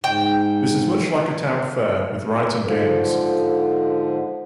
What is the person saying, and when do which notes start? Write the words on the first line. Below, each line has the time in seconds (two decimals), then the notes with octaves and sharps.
This is much like a town fair, with rides and games.
0.04 G#2 G5
2.61 G#2 D3 F3